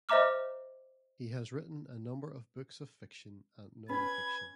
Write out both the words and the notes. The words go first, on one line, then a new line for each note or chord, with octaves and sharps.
He has written a number of books of fiction and non-fiction.
C5 D#5 E5 A#5 D6 F6
C#4 B4 B5 G#6